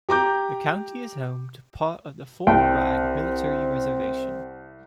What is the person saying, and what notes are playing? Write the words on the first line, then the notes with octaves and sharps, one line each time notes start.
The county is home to part of the Fort Bragg military reservation.
G4 A#5 D6 G6
C2 C4 G5